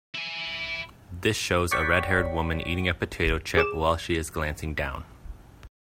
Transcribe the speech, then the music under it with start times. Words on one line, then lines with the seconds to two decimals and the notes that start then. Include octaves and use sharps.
This shows a redhaired woman eating a potato chip while she is glancing down.
0.15 E4 G#5
1.71 C#5 D5 F#5 G5 C#6 B6
3.57 G#4 D6 E7